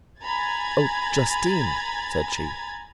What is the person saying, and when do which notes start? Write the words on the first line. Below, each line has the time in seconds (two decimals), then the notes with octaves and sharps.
"Oh, Justine!" said she.
0.22 G#5 A#5 B5 G#6 A6